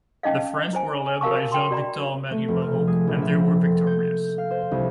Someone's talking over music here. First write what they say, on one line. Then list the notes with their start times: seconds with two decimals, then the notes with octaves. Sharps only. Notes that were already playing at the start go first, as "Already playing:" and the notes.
The French were led by Jean Victor Marie Moreau, and they were victorious.
0.23 C#4 D#4 D#5 F5
0.73 E4 C5 G#5
1.21 F#4 A#4 F5 A5 C#6
1.52 G5 C6
1.71 F#4 D5 A#5 B5
2.31 A3
2.48 F1
2.62 F6
2.87 G#4
3.07 A#1
3.22 E5
3.48 A4
3.87 G6
4.01 G6
4.38 F5
4.51 C5
4.71 C2